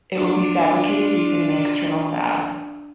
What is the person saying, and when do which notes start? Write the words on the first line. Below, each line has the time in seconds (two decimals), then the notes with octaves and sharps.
It will be fabricated using an external fab.
0.15 D4 F4